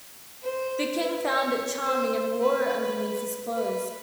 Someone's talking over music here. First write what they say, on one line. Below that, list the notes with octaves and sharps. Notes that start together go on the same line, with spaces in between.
The king found it charming and wore it underneath his clothes.
C5
B4
C#5
C5
B4
B4